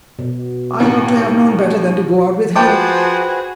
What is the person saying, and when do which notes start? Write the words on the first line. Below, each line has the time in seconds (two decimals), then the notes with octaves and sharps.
I ought to have known better than to go out with you.
0.19 B2
0.80 A1 D#2
2.55 F3 F#4 G#4 B4 C5 G5 A5 D6